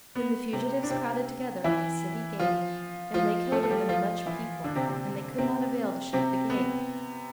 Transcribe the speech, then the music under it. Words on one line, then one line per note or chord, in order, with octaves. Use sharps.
Then the fugitives crowded together in the city gate and they killed of them much people; and they could not avail to shut the gate.
B3
C3 C4
D4
C3 C4
E3 E4
F3 F4
F3 F4
A3 A4
A4
G3 G4
F3 F4
E3 E4
D3 D4
C3 C4
C3 C4
C3 C4
C3 C4
B3